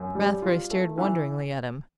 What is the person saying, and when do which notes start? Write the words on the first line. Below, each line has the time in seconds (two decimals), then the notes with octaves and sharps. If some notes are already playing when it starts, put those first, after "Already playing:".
Rathbury stared wonderingly at him.
Already playing: F#2
0.15 G3
0.42 F4
0.71 A3
0.98 E3